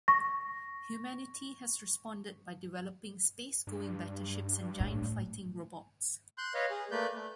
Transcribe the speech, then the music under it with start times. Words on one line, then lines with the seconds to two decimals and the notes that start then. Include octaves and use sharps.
Humanity has responded by developing space-going battleships and giant fighting robots.
0.08 C#6 A#6
3.67 G2
4.80 A2
6.38 C6 F#6 G6
6.54 B4 C#5 D#5 F5
6.70 G#4
6.91 A3 A#3 B4 D5 G6
7.15 A3